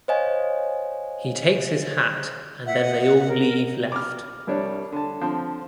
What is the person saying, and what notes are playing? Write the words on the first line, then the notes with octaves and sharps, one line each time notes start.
He takes his hat and they all leave left.
C5 C#5 D#5 F5 G#5
E5 F#5
D#5
A#4
D6 F6
C2 G3 D4 C#5
D3 A5
D3 F3 C4